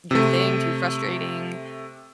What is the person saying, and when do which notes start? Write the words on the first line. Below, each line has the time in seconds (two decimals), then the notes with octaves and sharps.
your thing, too frustrating?
0.11 C3 A3